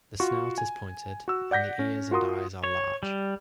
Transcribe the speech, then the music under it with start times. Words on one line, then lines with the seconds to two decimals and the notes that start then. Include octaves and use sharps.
The snout is pointed and the ears and eyes are large.
0.20 F4 F#4 C#6
0.58 G#5
1.28 F#4 E6
1.51 D5 F#5 G6 A#6 B6
1.79 C#4
2.11 F4 F#4 A#4 C6 D#6
2.64 C#5
3.03 G3